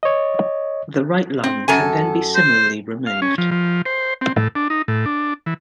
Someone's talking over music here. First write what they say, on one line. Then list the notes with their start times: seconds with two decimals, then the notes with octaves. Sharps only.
The right lung can then be similarly removed.
0.03 C#5 D#5
1.44 C4
1.68 F#2 A4 G#5
2.35 C5
3.06 F5
3.22 C#4
3.38 F3
3.51 F3
3.85 C5
4.21 C4
4.36 A2
4.55 D4
4.70 D#4
4.88 A2
5.06 D4
5.46 E3